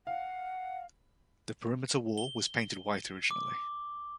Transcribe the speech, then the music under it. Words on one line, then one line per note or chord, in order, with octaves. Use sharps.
The perimeter wall was painted white originally.
F5 F#5
G7
D6